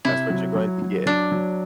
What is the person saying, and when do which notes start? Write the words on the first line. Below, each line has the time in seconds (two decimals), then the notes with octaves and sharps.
That's what you're going to get.
0.05 C3 E4
0.30 F#3
0.55 F#3
0.82 F#3
1.06 F#3 D4
1.32 F#3